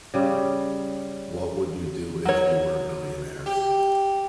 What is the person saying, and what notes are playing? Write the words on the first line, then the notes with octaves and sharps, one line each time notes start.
What would you do if you were a billionaire?
C#3 G3
F#3 C#5
G4